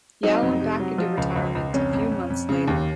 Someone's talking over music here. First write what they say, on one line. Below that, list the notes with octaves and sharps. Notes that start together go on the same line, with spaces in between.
Yeo went back into retirement a few months later.
F#3 C4 D#4
F2
C3
F#3
F3
C#2
C#2
C#2
F2 C#4
F2
F2
F2
C#3
D#2